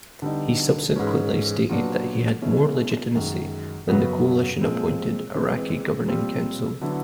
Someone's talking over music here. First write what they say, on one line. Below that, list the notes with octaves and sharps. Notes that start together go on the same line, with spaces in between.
He subsequently stated that he had more legitimacy than the Coalition-appointed Iraqi Governing Council.
D3 G3 B3 D#4
G#2 E3 G#3 C#4
A#2 F#3 B3 D4
B2 G#3 C#4 E4
F#2 D#3 G#3
F#2 C#3 F#3 B3
A#2 F3 G#3 C4
E3 G#3 C4
A#2 G3 C4 F4
D3 F#3 B3 E4